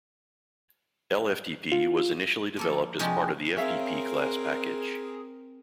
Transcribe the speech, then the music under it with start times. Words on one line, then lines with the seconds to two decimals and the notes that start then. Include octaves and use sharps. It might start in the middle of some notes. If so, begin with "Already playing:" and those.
Lftp was initially developed as part of the ftpclass package.
1.72 F4
2.57 F3 A#3 A4
2.99 C3 F3 G#3 D4 F#4 G4
3.57 C4 G#4 A#4 C#5 E5 F5